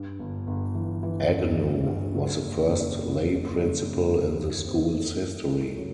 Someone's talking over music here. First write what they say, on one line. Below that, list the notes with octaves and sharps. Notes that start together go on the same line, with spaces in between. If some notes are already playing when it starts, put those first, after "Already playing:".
Agnew was the first lay principal in the school's history.
Already playing: G2
G1
G1
E3
E3
G1
G2
G2
F#3
F#1
F#1
F#1
F#3
F#1
F#2
F#2
F#3
C4
A3
A3
A3
F#3